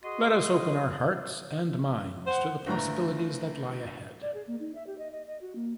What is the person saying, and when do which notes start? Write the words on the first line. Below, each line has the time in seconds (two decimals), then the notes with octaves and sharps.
Let us open our hearts and minds to the possibilities that lie ahead.
0.04 F#4 G#4 D#5 C6 D#6
2.26 C5 F#5
2.66 G1 A2 A#5
4.22 D5
4.34 G#4
4.47 A#3
4.60 D#4
4.75 E5
4.87 G4
4.98 D#5
5.11 D#5
5.27 D#5
5.41 F#4
5.55 A#3